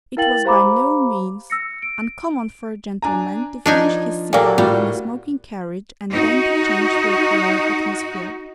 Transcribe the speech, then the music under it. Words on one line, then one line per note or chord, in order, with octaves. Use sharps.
It was by no means uncommon for a gentleman to finish his cigar in a smoking carriage and then to change to a clearer atmosphere.
E4 A#4 F5 G5 A6 F#7
G4 C5 F5 A#5 B5 D6
E6 A#6 C#7
D7
D4 G#5 A#5
F3 D4 D#4 G#5
A#2 A#3 G4 A4 D5
A2 G3 F4 F#4
D#4 F#4